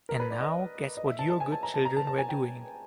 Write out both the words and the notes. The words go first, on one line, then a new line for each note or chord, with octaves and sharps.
And now, guess what your good children were doing?
A#4
B4
D5
D#5
D#5
E5
A5
A5
G#5
A5
A#5
A5
A#5
A5
A5
G#5
G5